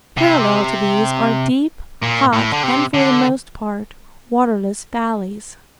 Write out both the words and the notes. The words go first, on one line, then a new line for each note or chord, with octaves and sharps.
Parallel to these are deep, hot and for the most part waterless valleys.
C3
A#2
A2
D3
C3
D3